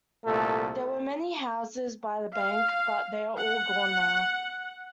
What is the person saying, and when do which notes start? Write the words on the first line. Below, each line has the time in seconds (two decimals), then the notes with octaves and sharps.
There were many houses by the bank but they are all gone now.
0.24 C2 A#2 A3 A4
2.34 F5
3.36 F#5